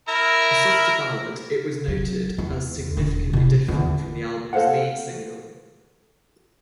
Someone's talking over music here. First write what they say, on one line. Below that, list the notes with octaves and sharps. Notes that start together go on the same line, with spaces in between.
A softer ballad, it was noted as significantly different from the album's lead single.
E4 A#4 A#5
F#3
E2
E1 D3
C3 E4
E2 D3
A4 A#4 C5 F5 F#5